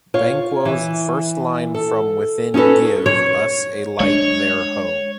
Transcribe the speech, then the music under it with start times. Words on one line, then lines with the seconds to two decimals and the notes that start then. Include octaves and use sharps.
Banquo's first line from within Give us a light there, ho!
0.14 F4 C#5
0.65 E3
1.75 A4
2.54 C#4 D#4 G#4 A4 B4
3.06 C#5
4.00 G#3 D4 C#5